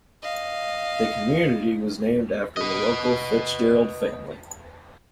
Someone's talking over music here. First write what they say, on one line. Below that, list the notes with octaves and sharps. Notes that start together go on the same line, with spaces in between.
The community was named after the local Fitzgerald family.
D#5 F5
B4 D#5